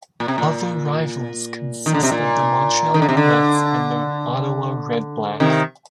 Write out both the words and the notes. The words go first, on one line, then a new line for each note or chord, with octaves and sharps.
Other rivals consist of the Montreal Alouettes and the Ottawa Redblacks.
A#2
C3
A#2
D#3
D3
C3
A#2
D#3
D3
C3
D3
C3 D#3